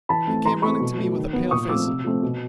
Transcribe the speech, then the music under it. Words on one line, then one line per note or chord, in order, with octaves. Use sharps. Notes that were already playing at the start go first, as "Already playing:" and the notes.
He came running to me with a pale face....
E3 A5 B5
A3 C4
E3 A#5 C6
A3 C4 B5 C#6
B2
F#3 A3
D#3
F#3 B3
A#2 C#6 D#6
F3 A3 C4 D6 E6
C3
F3 A3 C4
B2